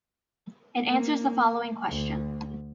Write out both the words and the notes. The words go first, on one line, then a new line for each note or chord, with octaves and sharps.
It answers the following question.
A#3
D2